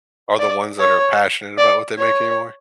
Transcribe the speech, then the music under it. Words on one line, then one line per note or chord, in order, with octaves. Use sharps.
are the ones that are passionate about what they make anymore,
D5
C#5
D5
C#5